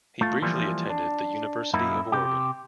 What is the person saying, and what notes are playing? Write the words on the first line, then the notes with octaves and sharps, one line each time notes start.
He briefly attended the University of Oregon.
A3 F4
E3 F3 G3 A#3
D4
F#2 A#3 D#4 E4
C3 G4